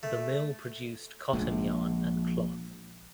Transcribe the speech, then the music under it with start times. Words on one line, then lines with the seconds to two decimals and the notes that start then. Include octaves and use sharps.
The mill produced cotton yarn and cloth.
0.03 A3
1.33 A#1 F3 G#3